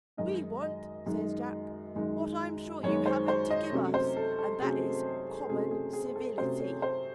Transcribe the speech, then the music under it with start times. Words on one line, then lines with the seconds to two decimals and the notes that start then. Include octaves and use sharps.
"We want," says Jack, "what I'm sure you haven't to give us--and that is, common civility."
0.17 F#2 D#3 G#3 D#4 D#5
0.62 D#5
1.06 F#2 D#3 G#3 D#4
1.95 F#2 D#3 G#3 D#4
2.83 F#2 D#3 G#3 D#4 C#5
3.06 C5
3.28 C5
3.50 D#5
3.72 C3 F#3 A3 C#4
3.94 C5
4.17 A4
4.39 A4
4.60 C3 F#3 A3 C#4 G#4
5.49 C3 F#3 A3 C#4 G#4
5.71 G#4
5.93 G#4
6.16 A4
6.38 C3 F#3 A3 C#4 C5
6.60 C#5
6.82 C5